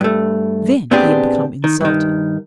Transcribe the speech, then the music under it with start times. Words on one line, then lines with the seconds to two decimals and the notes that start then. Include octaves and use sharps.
Then he had become insulting.
0.01 G2 A3
0.91 A#2 B3 C4 D4 G4 G#4
1.64 D#3
1.81 G2 D#3